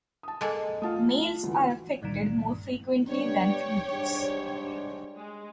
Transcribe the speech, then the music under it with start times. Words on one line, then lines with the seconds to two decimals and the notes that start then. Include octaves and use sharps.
Males are affected more frequently than females.
0.23 A5 D#6
0.41 G#3 A#3 A4
0.82 A3 F4 F5 A5 D#6
1.43 D2 E3
2.02 C#2 G2 A#2 D#3
3.08 G3 B3 D4 G4 C#5
3.89 G#2 G3 D4
5.17 G#3